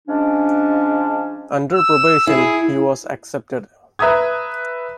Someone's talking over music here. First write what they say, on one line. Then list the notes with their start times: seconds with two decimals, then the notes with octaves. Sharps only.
Under probation, he was accepted.
0.08 F3 G#3 C#4 D4
1.73 E6
2.27 E4 G#4
3.99 B4 E5 A#5 D#6 G#6